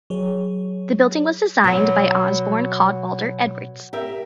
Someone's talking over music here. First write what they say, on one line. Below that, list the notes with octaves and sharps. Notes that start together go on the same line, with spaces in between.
The building was designed by Osborne Cadwallader Edwards.
F#3 G#4 C#5
B2 F#3
G4 A#4 E5